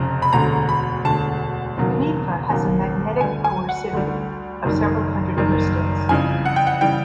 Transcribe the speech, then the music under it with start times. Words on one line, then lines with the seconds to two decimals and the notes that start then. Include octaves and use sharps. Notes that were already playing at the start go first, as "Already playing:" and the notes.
Cunife has a magnetic coercivity of several hundred oersteds.
Already playing: F1 F2 C#3 A#5
0.22 B5
0.33 E1 D2 D3 A#5
0.69 B5
1.04 E1 D2 D3 A5
1.77 E1 D#2 C#3 F#3 A#3
2.49 E1 D#2 C#3 F#3 A#3
3.21 D2 D3 G3 G#5
3.44 G#5
3.69 F#5
3.93 D2 D3 G3
4.65 F#1 F#2 D#3 G3
5.37 F#1 F#2 D#3 G3
6.09 F2 C#3 E3 G3 G#5
6.45 F#5
6.56 G5
6.67 F#5
6.81 C#3 E3 G3 G5